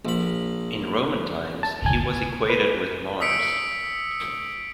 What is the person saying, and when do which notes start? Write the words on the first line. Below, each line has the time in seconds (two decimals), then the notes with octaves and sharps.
In Roman times he was equated with Mars.
0.05 A#1 B5
1.63 A5
1.86 G#5
2.50 B4
3.21 D#6 E6 B6 C#7 D7